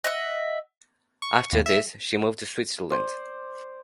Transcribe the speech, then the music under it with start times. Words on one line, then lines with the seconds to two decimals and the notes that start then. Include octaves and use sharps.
After this, she moved to Switzerland.
0.04 D#5 E5 F#5
1.22 C#6
1.52 D#2
1.66 E5
2.91 C5 D5